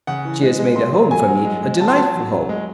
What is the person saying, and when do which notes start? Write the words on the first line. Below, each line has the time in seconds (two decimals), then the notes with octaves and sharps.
She has made a home for me--a delightful home.
0.07 C#3 F#5
0.25 E3
0.42 G#3
0.59 G#3
0.76 F#3 C6
0.94 F#3
1.11 F#3 G#5
1.28 F#3
1.45 G#3
1.63 G#3
1.80 F#3 A5
1.88 C6
1.96 F#3 A5
2.15 F#3
2.32 F#3
2.49 G#3